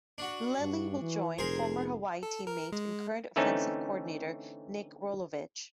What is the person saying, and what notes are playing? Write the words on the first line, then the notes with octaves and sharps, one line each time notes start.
Lelie will join former Hawaii teammate and current offensive coordinator Nick Rolovich.
D4 F#4
G2
E3
F1 G#4 A#4 C5
A4
A#4
G#3
D3 E3 A3 C4 C#4 D#4